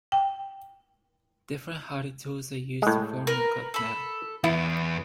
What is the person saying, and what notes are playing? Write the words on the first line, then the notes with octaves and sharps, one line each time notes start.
Different hardy tools are used to form and cut metal.
G5
A2 G#3
A#4 B4
A4 B5
E2 B3 E4